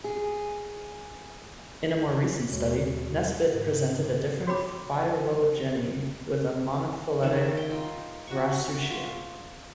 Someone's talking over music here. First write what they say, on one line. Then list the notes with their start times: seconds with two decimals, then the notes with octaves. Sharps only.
In a more recent study, Nesbitt presented a different phylogeny with a monophyletic Rauisuchia.
0.04 G#4
2.50 D#2 B2 G#3 F#4 C#5
3.54 G#2
4.47 F#4 C#5 G5 B5 D6
7.23 D#3 G3 E5 F#5
7.57 G5
7.70 D#4 F4
8.27 F#4 C#6
8.90 F4